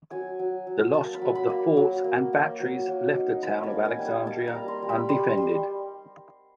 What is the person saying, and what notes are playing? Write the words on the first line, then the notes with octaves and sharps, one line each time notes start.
The loss of the forts and batteries left the town of Alexandria undefended.
F#3 G#5
F#3
F#3
A#3 A5
B5
F#3
B5
A#3
F#3
A#3
A#3
F#3
F#3
D#4
A#3 B5
G#5 A5
A#3
G#5
G3
G#5
A#3 A5
A#5
G3
C6
G3
B5
G3 C6
G3